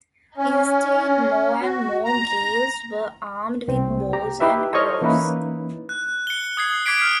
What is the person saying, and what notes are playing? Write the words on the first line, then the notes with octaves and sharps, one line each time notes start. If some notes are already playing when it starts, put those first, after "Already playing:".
Instead, more and more Gaels were armed with bows and arrows.
C#4
F#4
A#5
C2 C4
G4 A#5
D#4 E4 G4 B4 E5
A4 C5 C#5 D#5 C#6 F6
E3 A#3 C#4 D#4 E4 B4
F#6
C#7 G7
D#6 G#6 C7
D6 G#6 B6 C7 D7
F6